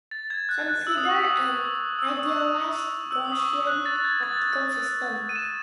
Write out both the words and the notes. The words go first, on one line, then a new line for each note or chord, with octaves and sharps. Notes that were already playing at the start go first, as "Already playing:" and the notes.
Consider an idealised Gaussian optical system.
A6
G#6
F#6
F#6
E6
D#6
C#6
D#6
E6
D#6
C#6
D#6
E6
D#6
C#6
D#6
F#6
A6
A6
G#6
A6
D#7
E7